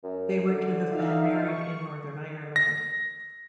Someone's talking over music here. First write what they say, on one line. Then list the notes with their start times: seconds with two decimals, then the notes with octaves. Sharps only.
They were to have been married in Northern Ireland.
0.03 F#2
0.47 D3
0.91 D#4 E5 F5
1.48 C#6
2.56 A#6